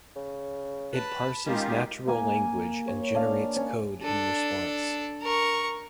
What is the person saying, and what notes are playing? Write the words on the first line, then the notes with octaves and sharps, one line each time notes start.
It parses natural language and generates code in response.
C#3
B4 A5 B5
D#3 G#3 C#4 D#4 F4 G4
A#3 G#5
C#5
D4 F5
C#4
D4 A4
A#4 C#6